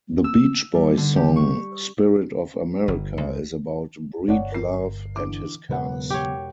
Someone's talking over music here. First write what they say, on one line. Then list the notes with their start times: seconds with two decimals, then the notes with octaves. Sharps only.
The Beach Boys song "Spirit of America" is about Breedlove and his cars.
0.24 E6
0.74 G3
0.97 D3
1.16 G4
1.36 C#6
2.88 G1
3.18 C#2
4.28 G1 C#5 D5 F#5
4.52 A#4 C7
5.16 D3 E3 D6
5.69 E1 C#3 F#3 B3 B4 F#5
6.10 G4 C#5